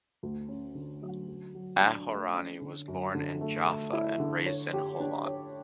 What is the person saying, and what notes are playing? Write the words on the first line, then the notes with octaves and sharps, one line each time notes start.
Aharoni was born in Jaffa and raised in Holon.
D2
C#4
D3
F#3
F#3
F#3
D4
A3
C#4
D3
F#2
D3
A3
A3
E4
D3
C#5
G4
D4
C#5